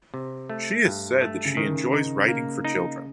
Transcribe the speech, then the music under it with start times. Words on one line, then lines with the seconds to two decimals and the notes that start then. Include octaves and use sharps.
She has said that she enjoys writing for children.
0.14 C3
0.49 A3
0.85 G2
1.21 A3
1.45 C#3
1.57 D#3
1.69 C#3
1.92 C#3 D#4
2.28 A#3
2.65 D#4